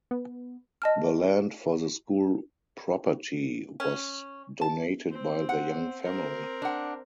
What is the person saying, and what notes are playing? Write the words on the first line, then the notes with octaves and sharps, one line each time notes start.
The land for the school property was donated by the Young family.
B3
D#5 A5 F6
C#4
A5
C4
F#5
C4 A#4
D4 F#5